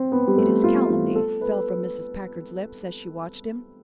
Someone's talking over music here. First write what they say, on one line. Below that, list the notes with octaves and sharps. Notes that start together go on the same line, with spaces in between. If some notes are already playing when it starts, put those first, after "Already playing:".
"It is calumny," fell from Mrs. Packard's lips as she watched him.
Already playing: C4
B3
G3
A3
F4
F4
A4
B4